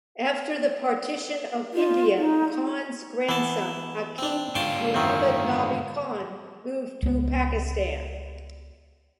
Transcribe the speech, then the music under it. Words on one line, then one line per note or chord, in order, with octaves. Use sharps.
After the partition of India Khan's grandson Hakim Muhammad Nabi Khan moved to Pakistan.
F4
D#4
E3 B3 A5
C4 D4
G#2 D3 F4 G5 A5 C6 C#6
F#2 D#3 C4 E4
C#2 B3